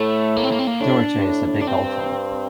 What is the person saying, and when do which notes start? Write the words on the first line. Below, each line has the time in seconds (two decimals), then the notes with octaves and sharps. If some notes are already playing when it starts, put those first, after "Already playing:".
Dougherty is a big golf fan.
Already playing: A2 A3
0.36 A#3
0.44 C4
0.52 A#3
0.59 C4
0.67 A#3
0.80 A2 D4
1.17 G2
1.24 A2
1.47 A2
1.62 D4
1.68 G2 C4
1.76 A2
1.83 G2